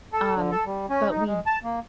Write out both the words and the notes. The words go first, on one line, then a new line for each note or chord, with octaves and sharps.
um, but we
A4
D3
A4
G3
C#4
D#4
G#3
A5
A#3